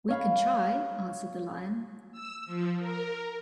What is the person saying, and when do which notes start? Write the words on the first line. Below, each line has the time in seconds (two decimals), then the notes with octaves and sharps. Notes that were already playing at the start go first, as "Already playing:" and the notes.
"We can try," answered the Lion.
0.08 C#5 F5 B5
2.12 E6
2.46 F3
2.79 A#4